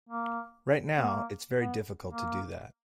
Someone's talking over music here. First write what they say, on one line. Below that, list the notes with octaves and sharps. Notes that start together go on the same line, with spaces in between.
Right now, it's very difficult to do that.
A#3
B3
A#3
B3
A#3